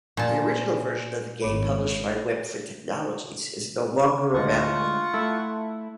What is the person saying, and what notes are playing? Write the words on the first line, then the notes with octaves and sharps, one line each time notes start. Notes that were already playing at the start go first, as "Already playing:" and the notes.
The original version of the game published by Webfoot Technologies is no longer available.
A#2 D5 G#5 A5 C6
G#1 C#5 B5 D6
D2 G#3 F4 F#5 C#6
A3 E4 A4